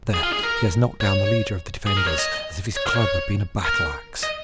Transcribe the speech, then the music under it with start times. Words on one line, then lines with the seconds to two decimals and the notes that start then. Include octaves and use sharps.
There, he has knocked down the leader of the defenders as if his club had been a battle-axe.
0.14 G#4
0.23 F4
0.33 G#4
0.43 A#4
1.01 C#5
1.87 G#4
1.97 A#4
2.07 C#5
2.18 D#5
2.77 C#5
2.87 A#4
2.96 C#5
3.65 A#4
4.23 D#5